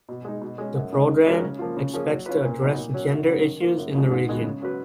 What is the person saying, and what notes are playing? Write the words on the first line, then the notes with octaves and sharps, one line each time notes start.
The programme expects to address gender issues in the region.
B2
G#3 D#4
B2
G#3 C#4 G#4
F#2
C#3 G#3 D#4
D#3
G#3 C#4 F#4 A#4
C#3
F3 A#3 F4
C#3
F3 A#3 C#4 G#4
F#3
C#4 F4 B4
A#2
F#3 B3 D#4
A#2
F#3 C#4
F#2
C#3 F#3
D#3
A#3 F4
F#2
C#3 F3 G#3
G#2
D#3 G#3 B3 F#4
C#3
F#3 C#4 F#4 B4